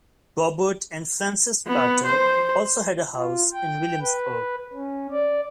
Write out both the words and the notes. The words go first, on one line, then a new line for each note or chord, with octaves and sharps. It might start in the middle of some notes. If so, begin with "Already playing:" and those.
Robert and Frances Carter also had a house in Williamsburg.
B3
C5
F4
G5
B4
C#4
D5